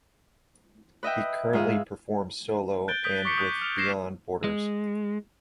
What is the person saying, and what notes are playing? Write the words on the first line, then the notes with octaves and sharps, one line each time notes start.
He currently performs solo and with Beyond Borders.
B4 D#5 E5 G5
G#2 F4 G#4 F5 E6
F#6 G6 A6 D7 G7
D#6 G6 B6 D7
C#6 D6 B6 C#7
D#6 F#6 G6
F6 F7
G6 G#6 A#6 C7 E7
G#3